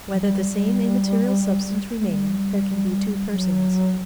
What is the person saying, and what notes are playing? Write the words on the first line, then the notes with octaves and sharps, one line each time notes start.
Whether, the same immaterial Substance remaining, there can be two Persons.
F#3
G3
G3
A3
G3
F#3